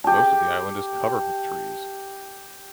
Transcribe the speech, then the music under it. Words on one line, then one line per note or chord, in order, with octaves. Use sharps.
Most of the island is covered with trees.
G4 A5